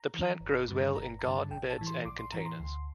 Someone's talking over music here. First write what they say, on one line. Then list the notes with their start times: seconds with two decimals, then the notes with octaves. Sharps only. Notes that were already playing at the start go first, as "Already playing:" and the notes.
The plant grows well in garden beds and containers.
Already playing: A#5
0.14 E3
0.41 G1
0.68 G2 D3
0.95 G1 A#5
1.19 A#5
1.23 G2 D3 A5
1.51 A#1 G5
1.70 A5
1.78 A2 E3
1.87 C6
2.05 A#1 D6
2.19 C6
2.32 A2 E3 A#5
2.46 C6
2.60 D2